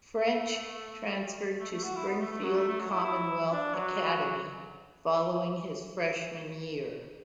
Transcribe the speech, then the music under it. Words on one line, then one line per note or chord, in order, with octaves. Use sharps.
French transferred to Springfield Commonwealth Academy following his freshman year.
A3
A3
A3
F#4
E4
B3
A3
A3
F#3
A3
A3
F#3
E4
E4
D4
F#3